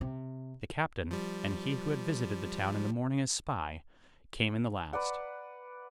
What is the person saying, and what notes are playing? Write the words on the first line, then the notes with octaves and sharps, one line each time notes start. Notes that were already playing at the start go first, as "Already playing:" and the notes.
The captain, and he who had visited the town in the morning as spy, came in the last.
C3
F3 G3
B4 D5 F#5